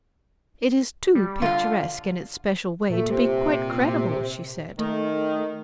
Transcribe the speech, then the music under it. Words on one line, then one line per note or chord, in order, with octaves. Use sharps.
"It is too picturesque, in its special way, to be quite credible," she said.
G3
D3 F4 F5
A#2 A3
C3
D#3 A3